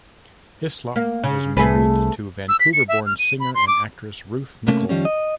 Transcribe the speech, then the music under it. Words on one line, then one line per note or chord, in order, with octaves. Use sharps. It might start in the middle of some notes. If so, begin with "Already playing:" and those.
Hyslop was married to Vancouver-born singer and actress Ruth Nichol.
A#3
C#3
C2 A3 G#4 B4
E6
B6
C#7
E5
F6
D#7
B5
C6
D6
C3 A3 A#3 C#4
D#3 F3 G3 C#4
D#5